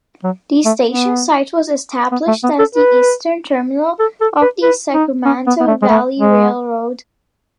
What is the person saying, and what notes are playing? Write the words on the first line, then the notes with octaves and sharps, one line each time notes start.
The station site was established as the eastern terminal of the Sacramento Valley Railroad.
F#3
A3
B3
B3
A3
B3
A4
B4
A4
A4
B4
B4
D#4
C#4
B3
B3
A3
G#3
A3
G#3